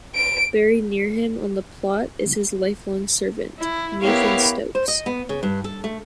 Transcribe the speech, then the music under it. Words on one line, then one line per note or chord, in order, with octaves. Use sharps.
Buried near him on the plot is his lifelong servant, Nathan Stokes.
D7
E4
B3 E4 G4 A#4 C#5 F5
C5
D#5
B3
C#3
G2
A4
A3